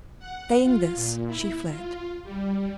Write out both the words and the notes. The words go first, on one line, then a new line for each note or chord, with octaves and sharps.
Saying this, she fled.
F#5
F4
A#2
E4
F4
G3